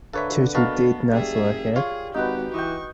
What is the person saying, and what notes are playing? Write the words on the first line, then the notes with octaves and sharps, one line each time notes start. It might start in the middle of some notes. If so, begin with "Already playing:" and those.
Toto did not like it.
D3 A#3 A4 B4 C#5 E5
B3 F#4 A#4 B4 D#5 F5 A5
F#1 G3 G#4 E5
F4 G#4 C#5 F5
G#1 D#4 F#4 G4 B4
E3 D#5 G5 C#6